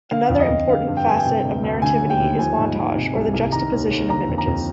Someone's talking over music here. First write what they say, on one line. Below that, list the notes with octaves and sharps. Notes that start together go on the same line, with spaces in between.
Another important facet of narrativity is montage, or the juxtaposition of images.
D3 F5
F2
D#5
F2
D3 F5
G2
G5
G2 G#5
G5
C3
D2
D2
D3 G#5
D#2
G5
D#2
F3 G#5
G#2
G#2
C3
C2
C2
D#3 A#5
D#2
D#2
D3 A#5
F2
A#5
F2